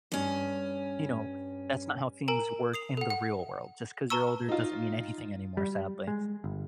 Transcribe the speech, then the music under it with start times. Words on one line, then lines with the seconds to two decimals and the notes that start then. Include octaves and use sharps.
you know, that's not how things work in the real world. Just 'cause you're older doesn't mean anything anymore, sadly.
0.12 G2 C#4
2.28 A#4 G#5 A#5
2.74 D#6 C7 F7
2.97 A4 F#5
3.10 F#5
4.10 B4 A5 A#5 C#6 E6
4.49 D#4 F4
5.57 G3
6.07 G#3
6.44 G1